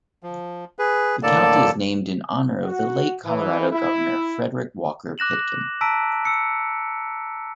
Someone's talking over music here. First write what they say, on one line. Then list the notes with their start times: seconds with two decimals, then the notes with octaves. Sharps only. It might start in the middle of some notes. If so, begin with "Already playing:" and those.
The county is named in honor of the late Colorado Governor Frederick Walker Pitkin.
0.23 F3
0.79 G#4 B4
1.23 A2 D3 A#3 A4 D5 A5
2.63 F#4
3.25 E3
3.72 E4
5.18 D6 F#6 A#6 E7 F#7
5.81 A5 A#5 E6 B6 D7
6.25 E6 C#7